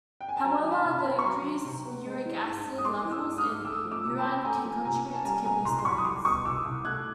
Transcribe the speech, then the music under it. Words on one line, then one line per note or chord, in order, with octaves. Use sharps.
However, the increased uric acid levels in urine can contribute to kidney stones.
G5
G#5
A5
F#3 G#5 A#5
D#3
A5 B5
C3
A5 B5
B3
C#6
F#3 A#5 C6
D#3
C3
B3
G#3
E3
G#2
G#2
D#6
G#3 C6 D6
E3
D6 E6
G#2
D#6 F6
G#2
A3 D6 E6
F3
D6 E6
C3
A5 B5
C#4
A3 G#5 A#5
F3
C3 G#5 A#5
C#4
A5
G3 G#5 A#5
B2 G#5 A#5
C2 A#5 C6
C6
C2 B5 C#6
D#6
G3 C6 D6
B2 C#6 D#6
C2 D6 E6
C2
A3 F#6 G#6